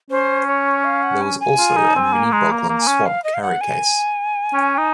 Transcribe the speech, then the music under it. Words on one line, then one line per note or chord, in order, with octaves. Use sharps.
There was also a Mini Boglins Swamp Carry Case.
C#4 C5
C#5
F5
F#5
G#5
G#5
F4
D#4
C4
A#3
G#3 A#5
A#3
A#5
A#3
A#5
G#5
C#4
F5
D#5
F5
F#5
G#5
C#4
D#4